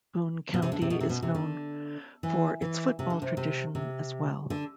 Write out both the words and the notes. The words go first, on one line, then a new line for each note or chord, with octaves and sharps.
Boone County is known for its football tradition as well.
B2
C3
D3
C3
B2
C3
B2
C3
D3
E3
E3
C3
D3
C3
C3
C3
D3